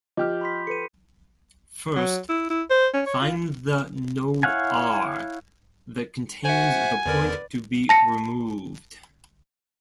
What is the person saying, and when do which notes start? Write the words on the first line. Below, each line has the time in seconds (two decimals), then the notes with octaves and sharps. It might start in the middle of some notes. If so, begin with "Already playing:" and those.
First, find the node R that contains the point to be removed.
0.17 F3 G4 D#5 G5 D6 F6 G6
0.41 B5 C6 B6
0.67 A4 B4 C#7 D#7
1.96 F#3
2.29 E4
2.50 E4
2.70 C5
2.94 C#4
3.07 C#5
3.22 F4
4.43 E4 C#5 F5 F#5 G#5
6.45 F#4 C5 E5 F#5 G#5
7.06 E2 D3 A#4 B4 D5
7.89 A5 A#6 C#7